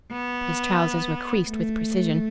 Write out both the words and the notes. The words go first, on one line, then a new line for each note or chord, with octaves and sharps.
His trousers were creased with precision.
B3
A3